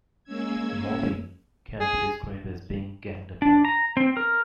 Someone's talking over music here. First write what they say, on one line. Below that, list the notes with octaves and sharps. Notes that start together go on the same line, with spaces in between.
Mobbing can be described as being ganged up on.
G#3 A#3 C#4 E6 G#6
G#4
D4
A#5
C4
A#4